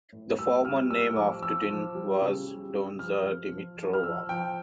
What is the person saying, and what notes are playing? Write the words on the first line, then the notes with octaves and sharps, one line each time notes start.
The former name of Tutin was Donja Dimitrova.
A2
G3 E6
G3 F6
A2 E6
F3 D6
F3 E6
F3
G3
C#3
G3
G3
F3 F6
F3
F3
F3
F6
F3 E6
F3 G5